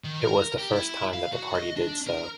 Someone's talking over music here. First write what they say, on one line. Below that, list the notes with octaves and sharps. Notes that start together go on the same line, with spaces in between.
It was the first time that the party did so.
D#3
A#4
G4
E4
F5
F#4
D#5
D4
A#4